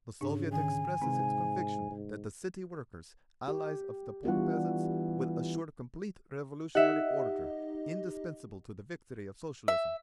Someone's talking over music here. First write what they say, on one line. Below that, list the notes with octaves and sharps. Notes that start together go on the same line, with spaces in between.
The Soviet expresses its conviction that the city workers, allies of the poor peasants, will assure complete revolutionary order, indispensable to the victory of Socialism.
G#2 C#3 D4
G#2 D3 D#3 G#5
G#2 C3 C4
G#2
G4
E3 G3 B3 D4 F4 F#4 F#5
D#4 G4 D#5 E5 F#5
E5